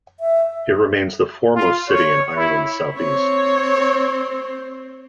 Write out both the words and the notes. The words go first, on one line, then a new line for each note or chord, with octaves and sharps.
It remains the foremost city in Ireland's south-east.
E5
F4
C#5
E4
C4 C#5